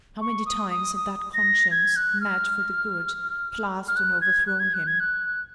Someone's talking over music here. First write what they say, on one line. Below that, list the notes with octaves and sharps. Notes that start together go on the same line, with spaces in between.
How many times had that conscience, mad for the good, clasped and overthrown him!
C#6
D#6
D#6
D#6
A#6
G#6
F#6
F6
F6
F#6
G#6
F#6
G#6
F#6
G#6
F#6